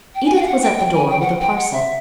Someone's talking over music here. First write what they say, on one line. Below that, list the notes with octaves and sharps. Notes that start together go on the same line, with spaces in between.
Edith was at the door-with a parcel.
G5
G#5
G5
F5
F#5
G5
G5
G#5
G5
F#5
G5
F#5
E5